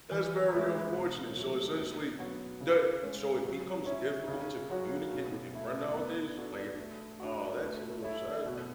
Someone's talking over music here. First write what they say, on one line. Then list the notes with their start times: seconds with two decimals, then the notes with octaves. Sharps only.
that's very unfortunate. So, essentially the so it becomes difficult to communicate with your friend, nowadays? Like it's aw, that's a little sad, then.
0.11 E3
0.52 G#3 C#4 E4 B4
0.94 B2
1.36 F#3 A3
1.78 B2
2.19 F#3 B3 F#4 C#5
2.61 C#3
3.03 G#3 C#4
3.45 F#3
3.86 C#4 E4
4.28 C#3
4.70 F#3 C#4 F#4
5.11 B2
5.53 A3 E4
5.95 B3
6.37 D4 F#4 A4
6.78 A3
7.20 D4 F#4
7.62 A3
8.02 E4 A4 C#5
8.45 B2